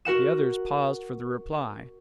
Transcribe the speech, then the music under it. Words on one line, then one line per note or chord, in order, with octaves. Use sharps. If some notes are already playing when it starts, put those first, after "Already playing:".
The others paused for the reply.
F#4 A#4 F#5 E7